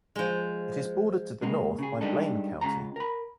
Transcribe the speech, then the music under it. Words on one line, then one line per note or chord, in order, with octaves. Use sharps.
It is bordered to the north by Blaine County.
F3 G#3
C#3 G#3 A#3
C#3 G#4
G3 G#3 D4 D#4 A4
C#2 C#3 G#3 F4 A#5
A#4 B5